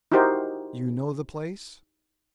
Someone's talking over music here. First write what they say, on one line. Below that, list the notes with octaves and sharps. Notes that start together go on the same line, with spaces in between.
"You know the place?"
D#4 E4 F#4 G4 A#4 C5